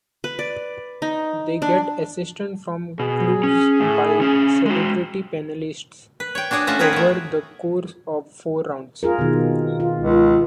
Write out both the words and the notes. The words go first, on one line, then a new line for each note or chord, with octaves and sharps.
They get assistance from clues by "celebrity panelists" over the course of four rounds.
B4
D5
D#4
D4
B2 G#4
C#4
A2
C3 C#4
G#3 F#4
B4
C#5 G5
D4 F#4 G#4 C#5 D5
A3 C#4 F4 F#4 F#5
C4 F4 G#4 A#4 B4 C#5
A3 B3
F4 G#4 A#4
B2 D#3
F4
C#2